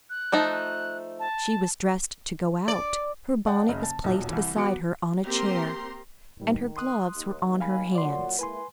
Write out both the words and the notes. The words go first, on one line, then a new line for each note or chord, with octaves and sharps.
She was dressed to go out, her bonnet was placed beside her on a chair, and her gloves were on her hands.
F#6
F3 A3 D#4
F#6
A5
D5
D5 F#5 G5 A5
F#1 C#3 D#5
A5
D#1 B1 E2
C2 E3
F#3 B3 F#4 D6 C#7 D7
A#3 C4 G4 A#4 A#5 C6
A2 D#3 G3
C6 D#6 F#6
D#2
F5 G#5 B5
A#2 F#3 D5 F#5 C6
G#3 A#3 E4 B4 G#5 C6